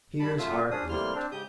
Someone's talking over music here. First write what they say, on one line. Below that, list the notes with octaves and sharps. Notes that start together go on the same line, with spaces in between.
Peter's heart leaped.
F#2 G3 A5 B5
F#2 F#3 A3 F4 E5
F3 C#4 D4 G#4 D#6
A2 C3 G3 A#3 C6 F6
C4 D4
G#2 C#3 G4 D#6 G6